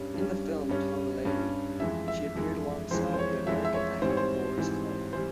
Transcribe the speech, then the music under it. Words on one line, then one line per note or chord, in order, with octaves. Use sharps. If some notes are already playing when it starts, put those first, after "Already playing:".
In the film, "Tongolele" she appeared alongside the American actor Boris Karloff.
Already playing: G2 G3 C#4
G2 G3 C#4
G2 G3 C#4
G2 G3 C#4
F2 E3 G#3 E5
E5
F2 E3 G#3
F2 E3 G#3 C5
C5
C#5
F2 E3 G#3 E5
E5
C#5
G#2 E3 G3 C4 C5
C#5
C5
G#2 E3 G3 C4
E3 G3 C5